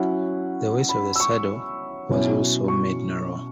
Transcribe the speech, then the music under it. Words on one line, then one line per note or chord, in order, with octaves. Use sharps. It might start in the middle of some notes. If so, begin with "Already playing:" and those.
The waist of the saddle was also made narrower.
Already playing: F#3 C#4 E4 F#5
B5
E6
C#6
B2 F#3 C#4 E4
C#6